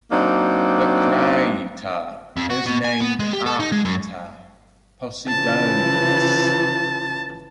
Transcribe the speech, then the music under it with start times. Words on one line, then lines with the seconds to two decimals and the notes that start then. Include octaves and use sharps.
The crater is named after Posidonius.
0.11 F#3 A#3 C4 D4 D#4
2.37 F2
2.50 F#4
2.66 B2
2.85 G#5
3.01 B3
3.19 G#3
3.33 G4
3.46 A4
3.60 D#4
3.72 G#3
3.85 F#2
5.28 C#3 E3 F3 A5